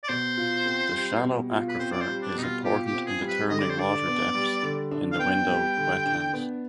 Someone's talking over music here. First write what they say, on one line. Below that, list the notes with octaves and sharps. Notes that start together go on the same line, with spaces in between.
The shallow aquifer is important in determining water depths in the ‘window’ wetlands.
D5
B2 C5
F4
C4
G3
B2
F4
B4
C4 C5
D5
C5
G3
D4
B2 D#4
F4
F4 G4
G4
C4
G#4
G3
B4
D3 D#5
D5
C5
D4 D5
B3
G3
D3
D4
F5
B3 G5
G3
D3
D4
B3